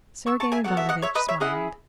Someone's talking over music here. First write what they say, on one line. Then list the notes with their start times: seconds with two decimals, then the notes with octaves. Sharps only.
Sergey Ivanovitch smiled.
0.26 C#6 E6
0.40 A5 C#6
0.52 E5 G#5
0.64 B3 F#4 A4 F#5
0.77 E5
0.89 D#5 F#5
1.02 C#5 E5
1.15 B4 D#5
1.28 C#5 E5
1.40 C#4 E4 G#4 D#5 F#5